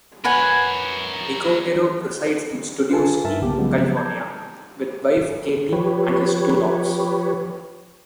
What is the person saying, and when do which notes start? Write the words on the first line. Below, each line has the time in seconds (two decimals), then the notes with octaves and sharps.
Nicotero resides in Studio City, California with wife Katie and his two dogs.
0.25 A#4 B4 C#5 F#5 G#5
2.91 F4 B4 G#5 A5
3.24 G2 A#4 E5 A5
3.41 B1 C#3 A#3 B3 G4
3.58 C#3 F3 F#3 G#3 B3
3.97 A5 A#5 G6 G#6
5.72 F3 G4 B4 C#5